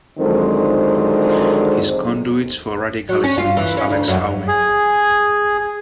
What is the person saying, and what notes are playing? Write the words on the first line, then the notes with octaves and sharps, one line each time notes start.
His conduits for radicalism was Alex Howie.
D3 D#3 F3 F#3 G#3 C4
F#3
C#4
F4
E3
C#4
D2
F#2
G#4